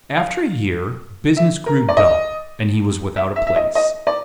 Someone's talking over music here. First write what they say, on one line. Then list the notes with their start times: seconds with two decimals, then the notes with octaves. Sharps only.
After a year, business grew dull, and he was without a place.
0.17 F5
1.37 E5
1.66 A#4
1.89 D5
1.97 D#5
3.16 E5
3.36 E5
3.47 E5
3.56 D#5
3.75 D#5
4.07 D5